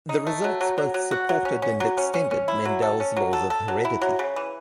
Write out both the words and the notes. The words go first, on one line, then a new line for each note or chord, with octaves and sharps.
The results both supported and extended Mendel's laws of heredity.
D#4
A3
F#3
F#3
F#3
F#3
F#4
F#3
C#4
C#4
F#3
C#4
C#4
C#4
E4
F#3
A4
C#4
F#3
A4
A4
F#3
E4
F#3
C#3
E3